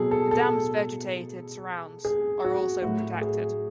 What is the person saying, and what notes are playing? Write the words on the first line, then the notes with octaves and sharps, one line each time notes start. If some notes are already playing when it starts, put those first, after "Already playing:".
The dam's vegetated surrounds are also protected.
Already playing: B2 F#3 G#4 A4
A4
A4
G#4
F#4
A2 F#4
F#3
G#4